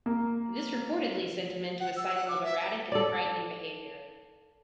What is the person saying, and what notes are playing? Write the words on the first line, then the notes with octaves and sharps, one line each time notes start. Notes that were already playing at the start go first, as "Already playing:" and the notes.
This reportedly sent him into a cycle of erratic and frightening behavior.
A#3
F#5
E6
F#5
D6
E5
A4 D5